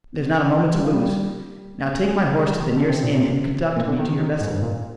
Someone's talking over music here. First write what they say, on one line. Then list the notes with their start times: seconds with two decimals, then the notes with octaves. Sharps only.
"There's not a moment to lose; now take my horse to the nearest inn and conduct me to your vessel."
0.75 G3
0.84 F3
0.93 G3
2.04 G#3
2.39 G#3
2.46 G3
2.57 F3
2.61 D#3
2.76 D3
2.89 C3
3.03 A#2
3.17 C3
3.76 A#2
3.88 D3
3.98 D#3
4.08 D#3
4.19 D#3
4.41 G#2
4.52 G2
4.62 A#2